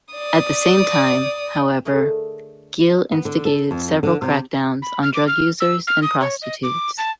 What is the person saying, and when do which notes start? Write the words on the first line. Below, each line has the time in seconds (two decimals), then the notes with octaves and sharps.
At the same time, however, Gil instigated several crackdowns on drug users and prostitutes.
0.14 D5 D#6
1.85 D3 A3 G#4 A#4 C#5 D#5
3.11 B3
3.25 D3
3.45 A4
3.71 F2
4.03 D3
4.22 C3
4.82 B5
5.02 F6
5.14 D6
5.27 F6
5.60 E6
5.87 F6
6.02 D#6
6.21 C#5
6.42 D#5
6.63 D6
6.98 A5